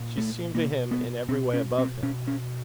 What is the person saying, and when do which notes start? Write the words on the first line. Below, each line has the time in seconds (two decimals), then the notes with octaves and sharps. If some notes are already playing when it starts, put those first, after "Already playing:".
She seemed to him in every way above him.
Already playing: A#2
0.18 A3
0.54 B2 A#3
0.91 B3
1.29 B2 C4
1.53 C#4
1.78 C4
2.03 B2 C#4
2.27 C#4